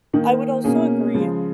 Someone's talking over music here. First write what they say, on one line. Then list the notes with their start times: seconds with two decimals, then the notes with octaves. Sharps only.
I would also agree
0.13 D#3 A#3 D#4
0.64 B2 A#3 C#4 G#4
1.14 C#3 F3 G#3